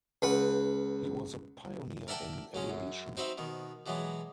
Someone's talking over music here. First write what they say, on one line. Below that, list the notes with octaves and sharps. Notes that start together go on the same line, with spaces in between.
He was a pioneer in aviation.
C#2 B4 F#5
A#4 D5 E5 F#5 G5 A5
F#3 G#3 C#4
F#2
C4 D#4 F#4 B4 C5 E5
B2 D#3
B2 E3 F#3 G#3 B3